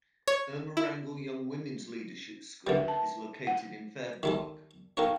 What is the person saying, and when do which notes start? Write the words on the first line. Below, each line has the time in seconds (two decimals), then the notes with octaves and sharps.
Irma Rangel Young Women's Leadership School is located in Fair Park.
0.27 C#5
0.77 E4
2.67 D3 G3 A#4 B4 E5
2.88 A5
3.47 F#5
4.23 D#3 G3 A4
4.97 D#4 A4 A#4 C#5 F5 G5